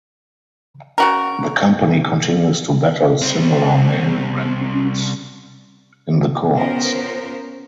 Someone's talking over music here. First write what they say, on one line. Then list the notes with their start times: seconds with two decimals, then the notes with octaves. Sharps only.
The company continues to battle similar male revues in the courts.
0.98 C#3 F#4 A#4
3.21 C2 C4
6.55 B3 C#4 F4 A#4 C5